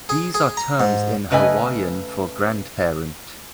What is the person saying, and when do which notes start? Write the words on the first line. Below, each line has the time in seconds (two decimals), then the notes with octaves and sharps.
These are terms in Hawaiian for grandparent.
0.09 G#4
0.34 G#4
0.57 A#5
0.80 G#2
1.31 C#3 A3 B4 D#5 G#5